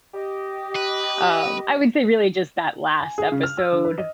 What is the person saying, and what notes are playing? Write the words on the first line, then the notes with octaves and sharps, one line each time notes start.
um, I would say really just that last episode,
G4 D#5
B4
G#5
G#4
C#3
F6
E6
D3
B4
D#5